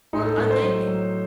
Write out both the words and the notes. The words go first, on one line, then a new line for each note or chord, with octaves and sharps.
But I think
A2 D#4
A4
A2 A4
C5
F#3
F#3